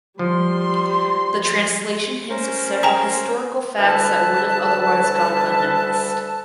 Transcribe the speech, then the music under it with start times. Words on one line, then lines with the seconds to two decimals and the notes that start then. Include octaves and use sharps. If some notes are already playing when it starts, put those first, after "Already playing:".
The translation hints at several historical facts that would have otherwise gone unnoticed.
0.19 F3 G3 C6
2.29 C#4 A#4 C5
2.83 G5 G#5 A#5
3.77 D2 E3 G3 A4 B4 A5